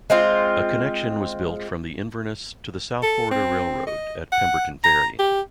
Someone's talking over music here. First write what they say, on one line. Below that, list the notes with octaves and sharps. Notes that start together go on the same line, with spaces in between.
A connection was built from Inverness to the South Florida Railroad at Pemberton Ferry.
G#3 C4 F4
A4
C4
D#5
F#5
A#5
G4